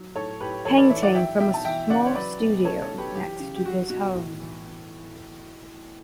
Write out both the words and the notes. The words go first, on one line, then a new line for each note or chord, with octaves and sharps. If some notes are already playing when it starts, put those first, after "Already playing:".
Painting from a small studio next to this home.
Already playing: F#3
A2 A4 C#5
A2 G4 B4
E3 A4 C#5
B4 D5
E3 C#5 E5
D5 F#5
F#3 E5 G5
B2 E5 G5
A5
E3 E5 G5
C#3 D5 F#5
C#5
F#3 B4 D5
B2
C#3 A4 C#5
A4 C#5
F#3
G4 B4
E3 G4
C#3
G4
F#3 F#4
B2 F#4
A2
E3